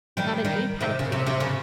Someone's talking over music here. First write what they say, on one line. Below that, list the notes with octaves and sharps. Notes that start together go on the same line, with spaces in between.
Not an ape had appeared.
D#3 G3
D#3 G3
C3 D#3
C#3
C3
C3
C#3